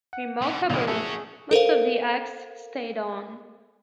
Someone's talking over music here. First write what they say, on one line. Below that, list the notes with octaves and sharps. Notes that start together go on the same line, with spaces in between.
Remarkably, most of the acts stayed on.
F#5
B2 D3
B1 A#2 F3 G#3 E4 D5 D6
A3 C#4 F#4 G#4
A4 A#4 C5 F5